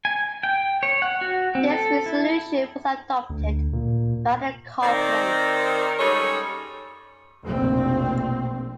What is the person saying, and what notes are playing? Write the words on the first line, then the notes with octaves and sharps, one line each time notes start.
This resolution was adopted by the conference.
G#5
G5
C#5
F#5
F#4
C4
A4
E4
D2
A#2
D#3 C4 D#4 A#4 C5 D5
G3 G#3 C#4 D#4 A4 C#5
F1 A#1 B2 C4